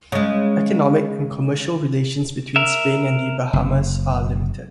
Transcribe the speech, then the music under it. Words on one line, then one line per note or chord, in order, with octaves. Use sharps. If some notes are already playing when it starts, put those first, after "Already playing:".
Economic and commercial relations between Spain and the Bahamas are limited.
C#3 G#3
A#4 E5
F#1